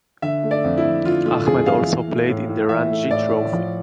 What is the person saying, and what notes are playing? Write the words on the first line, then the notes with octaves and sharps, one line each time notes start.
Ahmed also played in the Ranji Trophy.
D3 E5
A3
D5
F2
E4
F2
D3 F4
A3 F4
F2 G#4
F2 F5
E3
A3
A2
A2
E3 E5
A3
A2 D5
A2
F3